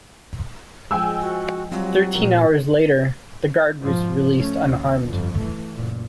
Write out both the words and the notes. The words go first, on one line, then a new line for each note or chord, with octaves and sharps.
Thirteen hours later, the guard was released unharmed.
F3 G#3 G5 G#5 E6
F#4
F#3 G3 C4 F4
A#2 F3 A#4
G#2 F3
A3 C#4
D#2
G1 F2
E3 A3
F#1 A#2